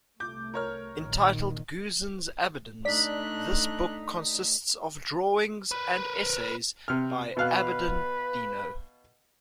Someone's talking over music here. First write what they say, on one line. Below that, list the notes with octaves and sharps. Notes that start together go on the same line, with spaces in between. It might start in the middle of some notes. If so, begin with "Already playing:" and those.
Entitled "Guzin's Abidins", this book consists of drawings and essays by Abidin Dino.
C2 A3 D6 G6
A#4 C#5 F6
A#1 A#2 D#3
A3 D4 D#4 D5 F#6 B6
A#4 B4
C3 F6
B2 B4 F5 F#6